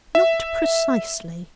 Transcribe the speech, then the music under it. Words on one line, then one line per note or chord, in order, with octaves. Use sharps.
Not precisely.
E5